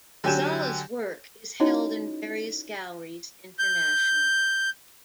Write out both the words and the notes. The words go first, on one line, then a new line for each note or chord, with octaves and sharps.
Ghazala's work is held in various galleries internationally.
D3 F#3 G4 G#5 G6 E7
C#4 D#4 E4 F#4 C#5 D#5
G6